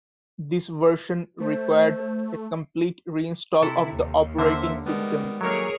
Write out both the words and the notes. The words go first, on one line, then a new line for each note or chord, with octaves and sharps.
This version required a complete reinstall of the operating system.
A3 C5
C3 E4 A4
D#2
D3 A#3 C5 E5
D#3 G3 G#3 B3
D#3 F#3 G3 A3 A#3 G#4 A#4 C#5